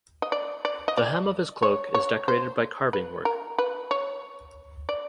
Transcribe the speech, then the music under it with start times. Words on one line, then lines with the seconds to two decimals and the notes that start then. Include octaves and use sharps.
The hem of his cloak is decorated by carving work.
0.22 D#5
0.32 D5
0.65 D5
0.88 D#5
0.97 D5
1.63 C#5
1.94 C#5
2.28 C5
2.93 B4
3.25 A#4
3.58 B4
3.91 C#5
4.89 D5